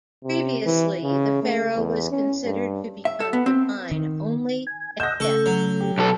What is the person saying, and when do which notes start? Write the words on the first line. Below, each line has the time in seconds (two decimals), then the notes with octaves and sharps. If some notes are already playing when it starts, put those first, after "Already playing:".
Previously the pharaoh was considered to become divine only at death.
0.25 C3
0.66 E3
1.03 C#3
1.43 A3
1.76 E2
2.11 C#4
2.45 G2
3.05 E5
3.20 A4
3.33 B3
3.46 C4
3.91 D#3
4.67 G#5
5.00 D#5 F#5 E6 G6 A#6
5.20 C#3 A3 A4 C#6
5.46 F#3
5.80 G4
5.98 B1 A4